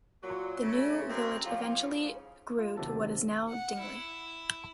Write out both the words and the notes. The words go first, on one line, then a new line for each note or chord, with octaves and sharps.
The new village eventually grew to what is now Dingli.
A#2 F#3
C#3 A3
F#2 B2 C4
A2 F3 G3 C4 F4
G#2 C#3
F4
D#2 C3 F#3 D4 A4 A5
F#5
E4